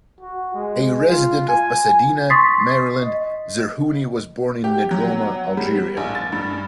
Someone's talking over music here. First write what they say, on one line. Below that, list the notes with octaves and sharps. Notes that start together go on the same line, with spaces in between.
A resident of Pasadena, Maryland, Zerhouni was born in Nedroma, Algeria.
F#4
G#3
F4
G#5
C6 C#6 D#6 A6 B6 C7
D#5
G4
F#3
G3
A#1
A6
G2